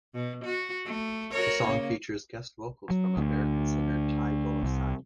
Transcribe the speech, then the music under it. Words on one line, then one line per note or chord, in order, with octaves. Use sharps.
The song features guest vocals from American singer Ty Dolla Sign.
B2
F#4
A3
F#4 A#4 C#5
C#3 A#3
F#3
D2
C2